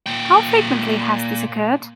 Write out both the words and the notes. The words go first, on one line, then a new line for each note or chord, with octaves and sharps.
How frequently has this occurred?
A#2 G5